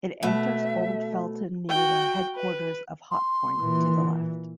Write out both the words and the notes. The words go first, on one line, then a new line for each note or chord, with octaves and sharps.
It enters Old Fletton near the headquarters of Hotpoint to the left.
B2 A3 E5
F#4 G5
B4
C6
A#2 E3